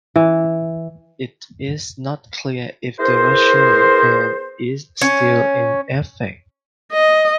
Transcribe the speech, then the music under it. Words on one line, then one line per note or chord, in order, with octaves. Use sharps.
It is not clear if the Russian ban is still in effect.
E3
B3 E4 G#4 A#4 C5
C#4
D#5